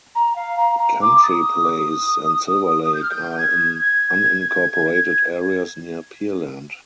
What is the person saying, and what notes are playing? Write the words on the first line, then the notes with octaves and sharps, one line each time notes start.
Country Place and Silverlake are in unincorporated areas near Pearland.
A#5
F5
A#5
A#5
D6
D#6
G6
F6
G6
G#6
G#6